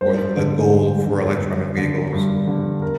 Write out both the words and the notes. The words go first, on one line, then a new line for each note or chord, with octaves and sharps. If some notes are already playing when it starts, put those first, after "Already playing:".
Or, the goal for electronic vehicles.
G2 C5
D3
G2
D3
G2
D3
G2
D3
A#4